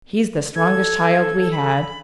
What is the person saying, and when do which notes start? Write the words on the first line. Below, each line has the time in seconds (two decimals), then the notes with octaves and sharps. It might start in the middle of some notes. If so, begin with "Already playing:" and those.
He's the strongest child we had.
0.56 A4 G#6
1.10 G#6
1.51 B5